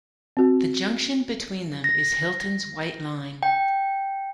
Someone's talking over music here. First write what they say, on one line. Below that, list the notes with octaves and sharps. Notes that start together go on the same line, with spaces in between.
The junction between them is Hilton's white line.
C4 F#4
A#6
G5